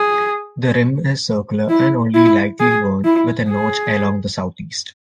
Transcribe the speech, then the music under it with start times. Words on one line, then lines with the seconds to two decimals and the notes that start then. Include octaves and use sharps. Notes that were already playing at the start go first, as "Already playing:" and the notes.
The rim is circular and only lightly worn, with a notch along the southeast.
Already playing: G#4
1.69 E4
2.14 E4
2.60 G#4
3.04 E4
3.49 G#4